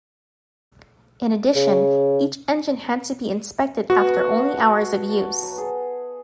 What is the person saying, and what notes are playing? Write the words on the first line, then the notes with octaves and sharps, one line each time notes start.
In addition, each engine had to be inspected after only hours of use.
C#3
B3 F#4 D#5 A5
E5 F5 A5
A5
F#3 B4 F#5
G#4 A4